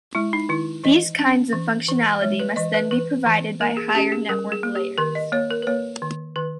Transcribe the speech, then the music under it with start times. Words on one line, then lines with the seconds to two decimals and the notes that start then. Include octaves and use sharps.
These kinds of functionality must then be provided by higher network layers.
0.15 G#3 E4
0.33 D#4
0.49 D#3 E4
0.84 E3 D#5
1.19 C#4
1.53 E3
1.88 E3
2.22 G#3 C#5
2.40 B4
2.56 E3 D#5
2.74 B4
2.91 E3 B4
3.26 E3
3.61 A#3 A#4
3.77 G#4
3.89 G#4
3.95 C#4 G4
4.12 G#4
4.29 G3 A#4
4.52 G#4
4.63 A#3
4.75 G4
4.98 D#3 A#4
5.15 D#5
5.32 A#3 C#5
5.51 A#4
5.62 B4
5.67 A#3 C#5
6.02 D#3
6.36 D#3 B4